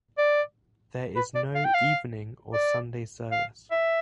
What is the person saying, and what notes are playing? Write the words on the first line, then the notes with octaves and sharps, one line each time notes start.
There is no evening or Sunday service.
D5
B4
D5
F5
G5
F5
D5
F5
E5